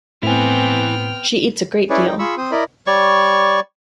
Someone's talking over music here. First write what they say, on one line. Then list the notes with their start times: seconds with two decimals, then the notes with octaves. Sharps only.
She eats a great deal.
0.23 A2 B3 C4 E4 G5 G#5 F6
1.90 C#4 E4 G#4 B4 C#5 D5
2.07 D#4 G5
2.19 F4 G#4 B5 C#6 E6
2.38 C4 C5 D#6
2.51 E4 A#4 D5 D#5 B5
2.87 G3 C#5 D5 C#6